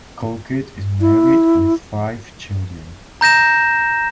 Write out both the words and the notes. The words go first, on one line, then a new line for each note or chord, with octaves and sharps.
Colquitt is married with five children.
E4
A#5 G6 A#6 E7